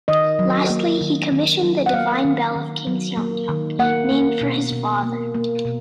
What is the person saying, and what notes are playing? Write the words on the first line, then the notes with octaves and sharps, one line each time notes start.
Lastly, he commissioned the Divine Bell of King Seongdeok, named for his father.
D#3 D#5
F#3
A#3
D#3
D#3
F#3
F#5
A#3 F5
D#3
D#3
F#3
A#3
D#3
A#3 F#5
A#3
B2
B2
A#3
A#3
B2